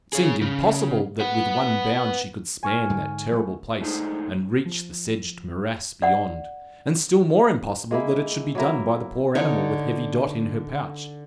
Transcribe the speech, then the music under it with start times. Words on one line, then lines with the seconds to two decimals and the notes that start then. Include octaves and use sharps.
It seemed impossible that with one bound she could span that terrible place and reach the sedged morass beyond; and still more impossible that it should be done by the poor animal with heavy Dot in her pouch.
0.13 G#4 C#5
0.41 C#3
1.20 B4 F#5
2.63 G#5 C#6 F6
2.90 G#2 D3
3.31 F3 G#3 A3
3.81 G#3 A3 D4 D#4 G#4 C5
4.66 F3
6.02 D5 F#5
7.91 G#3 A#3 E4
8.55 F#3 A#3 E4 A#4
9.35 D3 D#4 C#5